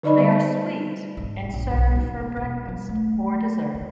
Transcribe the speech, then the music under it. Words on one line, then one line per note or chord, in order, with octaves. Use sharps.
They are sweet and served for breakfast or dessert.
D3 D#4 D5 D#5 B5
G3 B3 C5
G#2
A#1
B1
D#4
E1
G3
A3
D2